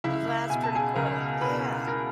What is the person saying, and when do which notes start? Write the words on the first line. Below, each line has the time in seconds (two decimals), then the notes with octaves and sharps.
That's pretty cool, yeah.
0.04 C#2 E4 E5
0.50 B2 G#5
0.64 A5
0.75 G#4 G#5
0.96 C#2 A#4 A#5
1.41 B2 B4 B5
1.87 A#4 A#5